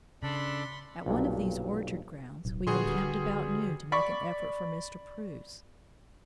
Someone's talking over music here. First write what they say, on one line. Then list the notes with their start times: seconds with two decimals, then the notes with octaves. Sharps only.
At one of these orchard grounds, we encamped about noon to make an effort for Mr. Preuss.
0.23 C#3 D4 A4 B5 C6
1.06 B1 G2 A#2
2.45 D1 B1
2.67 A#2 D3 G3 F#4 G#4 B4 C6
2.85 D1
3.92 D5 B5 C#6